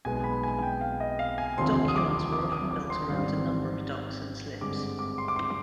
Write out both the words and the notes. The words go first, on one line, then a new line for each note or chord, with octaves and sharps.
Dockyards were often built around a number of docks and slips.
B1 B2 G#3 B3 G#5
B5
G#5
G5
F5
D#5
F5
G#5
F1 D#2 D3 F3 C4 C6
D#6
D6
D6
D#6
D6
C6
G#1 G#2 D#3 G3 C4
G2 D3 G#3 C4 D6
D6
C6
D6
C6